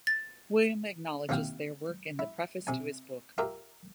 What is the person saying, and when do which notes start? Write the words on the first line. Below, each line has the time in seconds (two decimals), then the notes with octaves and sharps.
William acknowledges their work in the preface to his book.
0.07 A6
1.29 D#2 C3 E3 F5 G5
2.19 E4
2.67 C3 G#5
3.38 F4 G4 A#4 E5